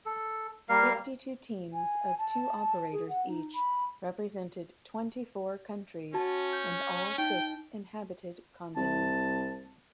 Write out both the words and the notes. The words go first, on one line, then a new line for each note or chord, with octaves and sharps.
Fifty-two teams of two operators each represented twenty-four countries and all six inhabited continents.
A4
G3 A#3 A#4 F5
G#5
A5
G#4
F#5
D#4
B5
C#4 F#4 A5
G6
D#4 G5
C2 A5